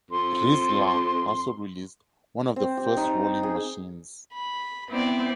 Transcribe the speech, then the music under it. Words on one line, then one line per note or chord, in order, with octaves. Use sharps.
RizLa also released one of the first rolling machines.
F2 C6
C4
G4
D#4
G#4
B5
B3 C4 E4 D5